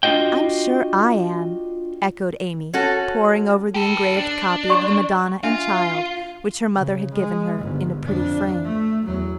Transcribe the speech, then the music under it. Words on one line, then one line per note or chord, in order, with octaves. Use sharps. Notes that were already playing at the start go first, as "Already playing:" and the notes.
"I'm sure I am," echoed Amy, poring over the engraved copy of the Madonna and Child, which her mother had given her in a pretty frame.
D4 F4 F#4 D#5 G5
C#4 F#4 A4
G4 A4
D4
D5 C6 C#6
D4 F4 E5
C#3
G#3
G1 G#2
F2 D4
A3
E2 F#3